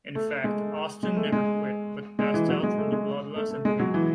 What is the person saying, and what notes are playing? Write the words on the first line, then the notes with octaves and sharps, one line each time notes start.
In fact, Austin never quit, but passed out from the blood loss and pain.
A3
G#3
G#3
A3
G#3
G#3
E3
F#3
G#3
A3
G#3
A3
A3
G#3
F#3
E3